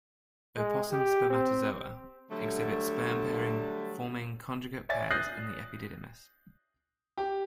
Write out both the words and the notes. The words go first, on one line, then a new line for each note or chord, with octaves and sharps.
Opossum spermatozoa exhibit sperm-pairing, forming conjugate pairs in the epididymis.
G#3
G4
C4
D3 F#3 G3 A3
C#5 D5 E5 G#5 A6
D#6 F#6 G6 A6 A#6 C7
G4